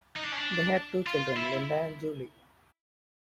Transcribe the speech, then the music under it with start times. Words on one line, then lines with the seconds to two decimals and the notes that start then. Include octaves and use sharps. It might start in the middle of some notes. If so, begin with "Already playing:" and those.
They had two children, Linda and Julie.
0.16 D#4
0.23 D4
0.32 C#4
0.38 D4
1.07 F4
1.37 E4